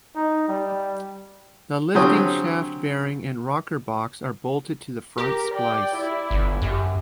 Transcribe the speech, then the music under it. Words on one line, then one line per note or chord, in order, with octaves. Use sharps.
The lifting-shaft bearing and rocker-box are bolted to the front splice.
D#4
G3
D3 F#3 C4 C#4 G4 D#6
G4 A#4
D5 G5
E4 D5
G1
F#2 G4